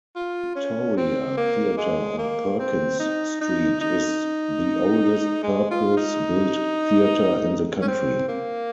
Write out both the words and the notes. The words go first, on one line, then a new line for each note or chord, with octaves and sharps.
Victoria Theatre on Perkins Street is the oldest purpose-built theatre in the country.
F4
C#4
C4
A#3
G#3
A#3
C4
D#4
D#4
D#4
G#3
F4
D#4
C#4
C4
A#3